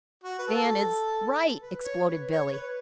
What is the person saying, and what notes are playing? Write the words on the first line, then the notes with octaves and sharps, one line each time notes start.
"Van is--right!" exploded Billie.
F#4
B4
A4
B4
C#5
B4
C#5
C#5
B4